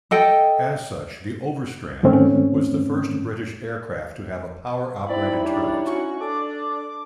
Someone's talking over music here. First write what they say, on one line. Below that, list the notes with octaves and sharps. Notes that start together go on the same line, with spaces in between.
As such the Overstrand was the first British aircraft to have a power-operated turret.
A4 D#5 G5
G#2 D#3 A3 C4 C#4
C4 D#4 E4 D5 B5
G3 D4 C#5
C#4 F#4 C#6
D4 A4 D6